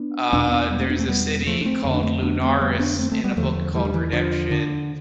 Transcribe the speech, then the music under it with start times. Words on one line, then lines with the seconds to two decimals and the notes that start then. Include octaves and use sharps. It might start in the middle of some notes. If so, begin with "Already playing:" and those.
Uh, there's a city called Lunaris in a book called Redemption
Already playing: B3 D4
0.33 E2 B2 B3 D4
0.52 B3 D4
0.70 G3 B3
0.80 A3 C4
0.89 B3 D4
0.99 A3 C4
1.08 G3 B3
1.41 B3
1.47 F3 A3
1.61 D4
1.65 A3 C4
1.84 F2 D3 C4
1.94 D4
2.03 A3 C4
2.23 B3 D4
2.41 A3 C4
2.61 G3 B3
2.80 B3 D4
2.99 A3 C4
3.12 A3 C4
3.24 G3 B3
3.37 E2 D3 F3 A3
3.75 E3 G3
3.85 D3
3.94 E3
4.12 D3 F3
4.51 D3